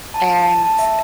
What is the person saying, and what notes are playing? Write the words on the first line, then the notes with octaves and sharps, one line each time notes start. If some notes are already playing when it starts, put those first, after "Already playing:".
and eh,
A5
A5
A5
A5
E5